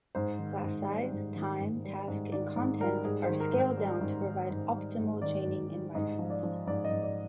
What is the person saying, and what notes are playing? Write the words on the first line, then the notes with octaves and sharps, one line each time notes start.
Class size, time, task, and content are scaled down to provide optimal training environments.
G#2 C5
D#3
G#2
G3
G#2
D#3
G#2
G3
G#2
D#3 D5
G#2
G3 A#4
G#2 G#4
C5
D#3
A#4
G#2
C5
G3
G#2
D#3
G#2
G3
G#2
D#3 D5
G#2
G3
G#2 D#5
F3
D5
F3
G#2 D5
D#5
G#2
D5